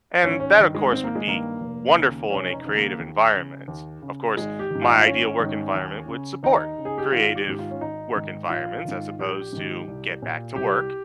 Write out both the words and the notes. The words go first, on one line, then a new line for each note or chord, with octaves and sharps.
And that, of course, would be wonderful in a creative environment, of course, my ideal work environment would support creative work environments as opposed to "get back to work"
G#1 C#4
C#4
G2 D#3
G#3
G#1 C4
A#3
G#3
G2 D#3 A#3
F1
D#2 C#3
F1 C#4
C#4
D#4
D#2 C#3
A#3
D#2
C#3
D#2
C#3
G#1 G#3
G4
G#2 D#3
F4
D#4
F4
G#1 C#4
G#2 D#3
D#2
C#3
D#2 D#4
C#3
G#4
G4
G#1 F4
G4
G#2 D#3
F4
C#4
G#1 D#4
G#2 D#3
A#1 F4
G#2 D#3
A#1 G4
G#2 D#3
C2
A#2
C2 G4